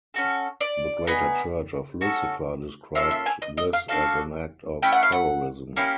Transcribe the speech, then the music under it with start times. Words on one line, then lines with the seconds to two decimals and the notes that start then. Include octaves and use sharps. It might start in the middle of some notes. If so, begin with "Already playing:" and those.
The Greater Church of Lucifer described this as an act of terrorism.
0.14 C#4 F#4 A4
0.61 D5
1.07 B3 D#4 G#4
2.01 C#4 F#4 A4
2.95 A#3 C#4 F4 A4 E5
3.11 E5
3.26 G#5
3.42 D#5
3.57 D#5
3.73 F5
3.88 D4 F#4 A4 F5
4.82 A3 C#4 E4 G5
4.92 F#5
5.03 F5
5.12 F#5
5.76 A#3 C#4 E4 G4